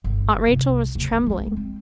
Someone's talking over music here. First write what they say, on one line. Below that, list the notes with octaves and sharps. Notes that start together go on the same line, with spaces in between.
Aunt Rachel was trembling.
G1
C2
D#2 C#3
D2
G#3 C4
C4